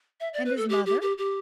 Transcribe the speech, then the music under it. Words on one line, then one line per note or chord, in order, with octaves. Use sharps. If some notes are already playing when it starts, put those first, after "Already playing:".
"And his mother?"
E5
D5
B4
A4
G4
G4
G4
G4